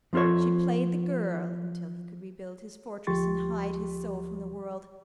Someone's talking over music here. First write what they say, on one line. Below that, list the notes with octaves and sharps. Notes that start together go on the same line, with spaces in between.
She played the girl, until he could rebuild his fortress and hide his soul from the world.
F3 C4 F4 A4 C#5
D2 F3 G4 C6 C#6 A6